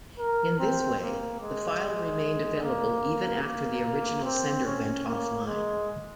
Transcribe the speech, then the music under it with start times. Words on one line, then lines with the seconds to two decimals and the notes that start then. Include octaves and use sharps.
In this way, the file remained available even after the original sender went offline.
0.19 A#4
0.59 C4
1.00 A#3
1.40 G#3
2.62 A#3
3.43 A#3
4.24 C4
4.65 C#4
5.06 A#3
5.46 G#3